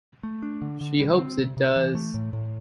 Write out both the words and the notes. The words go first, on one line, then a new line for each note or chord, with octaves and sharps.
She hopes it does.
A3
D4
D3
D3
G3
C4
C3
C3
E3
A3
A2
A2